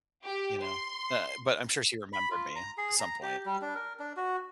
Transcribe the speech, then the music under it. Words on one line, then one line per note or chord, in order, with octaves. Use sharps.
you know? Uh, but I'm sure she remembered me at some point.
G4
C6
B5
F4
A#5
G#4
A#5
G4
G3
D4
A#4
D4
F#4